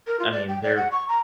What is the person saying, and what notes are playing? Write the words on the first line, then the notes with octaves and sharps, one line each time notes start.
I mean, they're
A#4
F4
D5
G5
D5
F#5
C#6
A#5